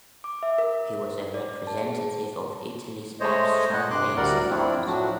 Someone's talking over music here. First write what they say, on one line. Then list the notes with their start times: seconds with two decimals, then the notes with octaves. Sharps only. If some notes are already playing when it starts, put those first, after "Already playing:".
He was a representative of Italy’s abstract painting art.
0.24 D6
0.43 E5
0.58 A#4
1.34 D5
1.67 A5
1.84 G#4
3.20 G#3 A3 C5 C#5 D#5
3.73 A#2 D#5 F#5 F#6
3.90 G2 C3 C6 D6 F#6
4.17 D2 G3 A#4 D5 F#5
4.50 F3 C4 D4 E4 D5
4.86 A2 F3 F#3 A3 D4 F#4